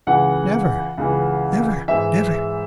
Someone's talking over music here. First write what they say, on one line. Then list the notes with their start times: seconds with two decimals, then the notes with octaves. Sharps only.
"Never, never, never!"
0.07 C#2 C#3 E3 F#5
0.97 C#2 C#3 E3
1.88 G#2 E3 E5